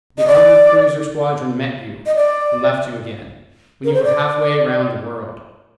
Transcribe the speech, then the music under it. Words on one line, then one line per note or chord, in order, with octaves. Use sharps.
The armored cruiser squadron met you, and left you again, when you were half way round the world.
D#5
D5
D#5
D5
A#4
C5
D5